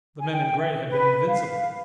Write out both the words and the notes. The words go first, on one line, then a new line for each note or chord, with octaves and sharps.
The men in gray had been invincible.
G#5
G5
E5
B4
F5